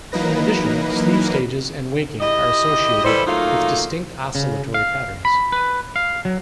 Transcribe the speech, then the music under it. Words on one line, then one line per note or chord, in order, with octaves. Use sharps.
In addition, sleep stages and waking are associated with distinct oscillatory patterns.
E3 F#3 A#3 D#4 B4 A#6
E4 G4 D#5
E3 G3 E4 A4 C5
F#3 A3 A#3 D#4 F4
C#3
F5
B5
B4
F5
F#3